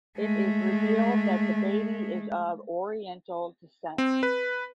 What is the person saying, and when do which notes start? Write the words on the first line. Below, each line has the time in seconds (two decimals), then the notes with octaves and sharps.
It is revealed that the baby is of oriental descent.
0.18 G#3 A3
3.98 C4
4.23 B4